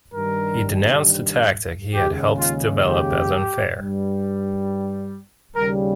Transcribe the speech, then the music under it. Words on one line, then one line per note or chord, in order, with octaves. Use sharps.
He denounced the tactic he had helped develop as unfair.
G2 D#3 G3 A#4
D#2 C#3 G#3 G4
F4
G4
G2 G3
D#2 C#3 G3 A#4